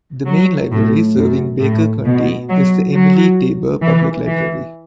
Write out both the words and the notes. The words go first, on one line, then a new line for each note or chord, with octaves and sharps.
The main library serving Baker County is the Emily Taber Public Library.
F#3
A2
F#2
A2
B2
F#3
F#3
E3
E3